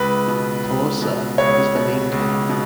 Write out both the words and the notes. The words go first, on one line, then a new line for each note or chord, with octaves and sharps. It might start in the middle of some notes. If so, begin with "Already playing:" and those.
Tolosa is the main town.
Already playing: C#2 B4
B2
C#2
B2
C#2 C#5
B2
C#2
B2